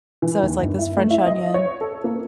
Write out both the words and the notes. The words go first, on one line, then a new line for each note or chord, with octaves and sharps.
So it's like this French onion
E3
D#2
G1
E4
A3
E4
D#5
C#5
A4
A#3